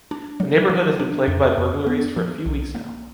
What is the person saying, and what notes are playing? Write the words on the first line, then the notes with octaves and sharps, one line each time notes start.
The neighborhood has been plagued by burglaries for a few weeks now.
D4
F#3
F#3
D4
F2
F2
B3
F3
B1
A#3